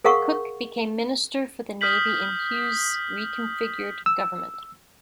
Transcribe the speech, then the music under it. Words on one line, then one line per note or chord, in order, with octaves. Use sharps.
Cook became Minister for the Navy in Hughes' reconfigured government.
G#4 A#4 F5 F#5 C#6
D#6 F6 G6 B6 F#7
E6